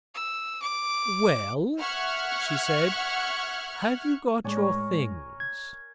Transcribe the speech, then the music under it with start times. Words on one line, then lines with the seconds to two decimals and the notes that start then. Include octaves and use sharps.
"Well," she said, "have you got your things?"
0.15 E6
0.62 D6
1.79 E5 F#5 C#6 F6 F#6 G#6
4.44 A2 G#3 D4 C#5 G#5
4.57 A#4 A#5 C#6
5.40 G#6